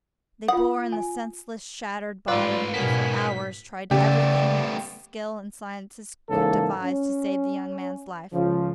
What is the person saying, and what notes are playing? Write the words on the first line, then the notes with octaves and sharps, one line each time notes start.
They bore in the senseless, shattered body, and for hours tried everything that skill and sciences could devise to save the young man's life.
F4 F#5 D#6
G#5
G#2 A3 F4 B4 D5
G#2 B2 A#3 B3 C#4 B6
C#3 A3 B3 G4 D5
G#2 C#3 E3 A#3 A4
C#4
C#2 C#3 F3